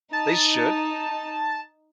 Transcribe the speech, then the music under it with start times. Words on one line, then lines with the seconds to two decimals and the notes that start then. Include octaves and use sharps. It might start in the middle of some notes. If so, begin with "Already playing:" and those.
They should.
0.13 D#4 A5